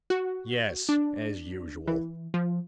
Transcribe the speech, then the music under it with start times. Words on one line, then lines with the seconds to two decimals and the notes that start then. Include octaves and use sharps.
"Yes--as usual!"
0.10 F#4
0.89 D4
1.87 E3
2.34 F3